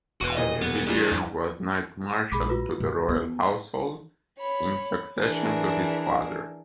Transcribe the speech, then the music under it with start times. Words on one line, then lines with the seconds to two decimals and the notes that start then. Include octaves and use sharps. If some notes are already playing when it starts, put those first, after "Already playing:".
Villiers was Knight Marshal to the royal household in succession to his father.
0.21 E1 F#4 B4 D#7
0.36 D#2 A#2 D#5
0.62 B3
0.87 E2 G3 D4 G4
1.12 F2
2.32 A#1 G#2 G#4 B5 D6
2.49 F4 F#4 B4
2.80 G#2
3.09 B3
4.40 C#5 B5
5.21 E3 D4 G#4 A#4